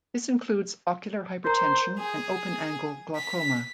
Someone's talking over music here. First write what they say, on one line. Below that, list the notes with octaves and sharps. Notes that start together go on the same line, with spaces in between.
This includes ocular hypertension and open angle glaucoma.
A#4 C5 A#5
G#4
B6